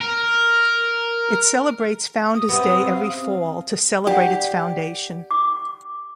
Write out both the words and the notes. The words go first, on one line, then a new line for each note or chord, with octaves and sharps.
It celebrates Founders' Day every Fall to celebrate its foundation.
A#4
D#6
C3 B3 D#6
F5
G4 D5 F#5
D6